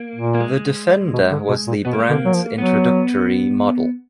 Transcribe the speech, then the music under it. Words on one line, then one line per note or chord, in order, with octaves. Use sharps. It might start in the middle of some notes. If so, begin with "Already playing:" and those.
The Defender was the brand’s introductory model.
Already playing: A#3
A#2
A#3
G#3
B2
D3
B2
A#2
B2 B3
A#3
G#3
D3 A#3
F#3
F3
F#3 B3